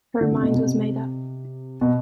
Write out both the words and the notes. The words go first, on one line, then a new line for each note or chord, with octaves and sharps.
Her mind was made up.
D3
C3
B2
C3
B2